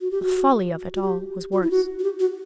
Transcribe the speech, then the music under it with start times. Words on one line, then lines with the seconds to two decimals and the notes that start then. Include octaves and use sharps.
The folly of it all was worse.
0.01 F#4
0.11 G4
0.22 F#4
0.95 F#4
1.02 G4
1.53 F#4
1.62 E4
1.71 F#4
1.99 F#4
2.03 G4
2.19 F#4